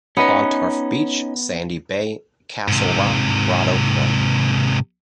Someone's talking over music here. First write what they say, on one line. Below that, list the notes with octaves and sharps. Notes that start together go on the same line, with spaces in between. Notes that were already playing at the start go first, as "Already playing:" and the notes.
Clontarf Beach, Sandy Bay, Castle Rock, Grotto Point.
B3 C#4 D#4
G#2 C3